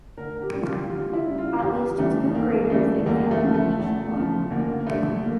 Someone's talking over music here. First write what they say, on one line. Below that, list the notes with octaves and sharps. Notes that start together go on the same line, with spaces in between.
At least two graders examine each coin.
D2 A#4
G4
C#3 G3
F4
G4
D2 F4
E4
C#3 G3
F4
E2 G4
C#3 E3 G3 A3
E2 A#3
C#3 E3 G3 A3
E2 A#3
A3
C#3 F3
A3
E2
C#3 F3
D2 A#3
A#3
D3 G3 A3
A#3